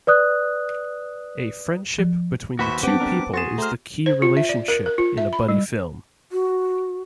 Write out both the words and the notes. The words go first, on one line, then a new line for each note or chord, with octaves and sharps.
A friendship between the two people is the key relationship in a buddy film.
B4 D5 D#6 F#6
F3
D#2 F#4 B4 C5 E5 B5 C#6
B3 C4 G4 F#5 A5 D6
G3 D4 A#4
F#4 G#4 C6 A6 E7
A3 C5 A#5 F6
C5
F4
E5
D5
A#4
A#4
F4
E5
B5
G3
F#4